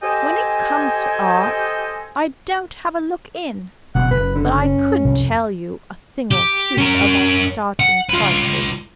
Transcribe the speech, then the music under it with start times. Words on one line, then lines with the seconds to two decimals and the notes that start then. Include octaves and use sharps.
When it comes to art, I don't have a look in; but I could tell you a thing or two about starting prices.'
0.02 G4 A4 C5 D#5 G5 G#5
3.95 F#1 B2 E3 C4 F#5
4.11 F#2 B4
4.35 D3
4.61 C#4
5.05 C2 F2
6.31 G4
6.78 C#4 A#4
7.80 F#5
8.09 F4 B4